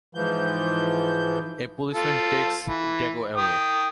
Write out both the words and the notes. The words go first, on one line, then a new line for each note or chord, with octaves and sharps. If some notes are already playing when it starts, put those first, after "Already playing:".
A policeman takes Dago away.
G#2 E3 F3 G6
F4 A4
E3
G5 D#6